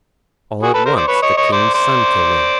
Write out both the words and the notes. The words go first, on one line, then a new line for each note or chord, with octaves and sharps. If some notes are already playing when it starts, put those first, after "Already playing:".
All at once the King's son came in.
F#4 G#4
A4 B4
A#4 C5
C5 D5
B4 C#5
C#5 D#5
C#5 D#5
C5 D5
C5 D5